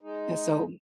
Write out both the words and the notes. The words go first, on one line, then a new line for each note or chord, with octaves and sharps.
uh so,
G#3 D#4